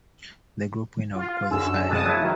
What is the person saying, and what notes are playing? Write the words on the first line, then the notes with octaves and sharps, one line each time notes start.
The group winner would qualify.
F4
F#2 D3 G#4 E6
C2 F2 G#3 A5 D#6
F#3 A#3 E4
D#3 F3 A#4